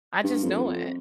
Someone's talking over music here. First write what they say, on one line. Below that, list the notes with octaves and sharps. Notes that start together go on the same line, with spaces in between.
I just know it.
G2
F2
F2